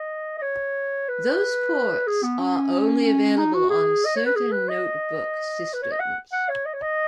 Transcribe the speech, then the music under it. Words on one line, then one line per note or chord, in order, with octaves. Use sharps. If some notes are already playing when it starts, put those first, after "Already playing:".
Those ports are only available on certain notebook systems.
Already playing: D#5
D#5
C#5
B4
G#4
B3
C#4
C#4
D#4
F#4
G#4
D#5
C#5
B4
G#4
B4
D#5
B4
C#5
D#5
F#5
F#5
C#5
D#5
C#5
D#5